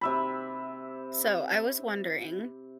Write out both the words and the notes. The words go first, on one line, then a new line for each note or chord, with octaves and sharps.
So, I was wondering
C3 E5 B5